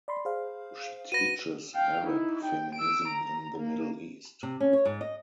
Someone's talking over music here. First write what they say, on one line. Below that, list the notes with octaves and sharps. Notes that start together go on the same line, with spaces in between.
She teaches Arab feminism in the Middle East.
D5 B5 C6
G#4 C5 F5
F#4 B4 A#6 D#7
F5 G5
D#4 E4
G5
E6 D7
A#5
A#3
C3
C#4
C#5
G#2
D#5